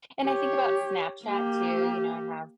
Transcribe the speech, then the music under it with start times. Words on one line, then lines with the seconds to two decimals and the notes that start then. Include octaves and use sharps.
and I think about Snapchat, too, you know, I have,
0.25 G4 C#5
1.26 A#3 G4